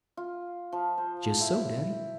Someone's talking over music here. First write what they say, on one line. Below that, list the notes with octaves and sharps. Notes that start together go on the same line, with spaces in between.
"Jist so, daddy."
F4
F3
C5
E4